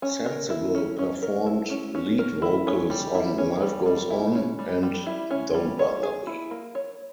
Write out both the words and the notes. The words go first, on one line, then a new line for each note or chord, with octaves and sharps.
Sensible performed lead vocals on "Life Goes On" and "Don't Bother Me".
C#4
A#4
E4
C#4
C#4
A#4
E4
C#4
C#4
A#4
E4
C#4
G3
E4
C#4
G3
G3
E4
C#4
G3
G3
E4
C#4
G3
C#5
G#4
E4
A#3
C#5